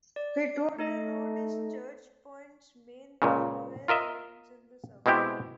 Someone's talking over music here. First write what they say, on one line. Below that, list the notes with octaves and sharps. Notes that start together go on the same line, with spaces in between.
Pittwater Road is Church Point's main thoroughfare and ends in the suburb.
D5
A3 D#4 A4 D#5
C#2 A#2 C#3
F4 A#4 D#5 E5
B2 G#3 C4 E4 G4